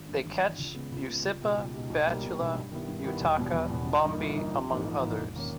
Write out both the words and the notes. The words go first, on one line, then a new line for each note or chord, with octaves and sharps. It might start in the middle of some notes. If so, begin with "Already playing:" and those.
They catch usipa, batala, utaka, bombe among others.
Already playing: G#1
G2 E3
G#1
G2 E3
C#2
C#3 G#3 B3
C#2
C#3 G#3 B3
C#2
B2 G#3 D#4 G4
C#2
B2 G#3 D#4 G4
B1
B2 G3 A#3 D#4
B1
B2 G3 A#3 D#4
G2
D#3 G3 B3 E4
G2
D#3 G3 B3 E4
E1
E2 B2 G3 B3
E1
E2 B2 G3 B3
G1
G2 E3 A#3 D#4
G1
G2 E3 A#3 D#4
A#1
G#2 E3 A#3 D#4
A#1
G#2 E3 A#3 D#4
E1
D#3 A#3 C#4